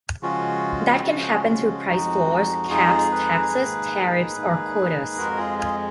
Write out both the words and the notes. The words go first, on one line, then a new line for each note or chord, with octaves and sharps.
That can happen through price floors, caps, taxes, tariffs, or quotas.
C#3 F3 G#3 C#4 F4 F#4
C#3 F3 G#3 C#4 F4
F2 F3 G#3 D#4 F#4
F2 F3 G#3 D#4 F4 G#4
G#4 B4
G#2 D#3 A#3 D#4
G#2 D#3 A#3 D#4
F2 F3 G#3 F#4 A#4
F4 G#4
F4 G#4